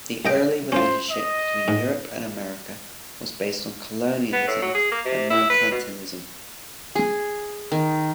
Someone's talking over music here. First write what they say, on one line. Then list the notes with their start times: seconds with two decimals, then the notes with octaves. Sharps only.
The early relationship between Europe and America was based on colonialism and merchantilism.
0.25 C2 D#5 G5
0.72 C#4 F4 C5
1.10 D#5
1.68 G#2
4.33 B3
4.48 A2
4.62 F#3
4.75 G#4
4.92 A#3
5.05 C3
5.30 E4
5.50 B4
5.71 B2
6.95 G#4
7.72 D#3